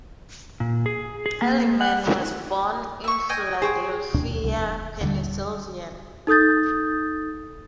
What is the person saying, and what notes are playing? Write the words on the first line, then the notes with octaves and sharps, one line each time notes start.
Adleman was born in Philadelphia, Pennsylvania.
A#2
G#4
G#4
A#3
F#5
E5 C#6
D#5 G5 G#5
G#4 C5 C#5 G5
D1 D#2 B2 D4
C2
E1
D#1 D3 G3
D#4 A4 D#6 G6 A6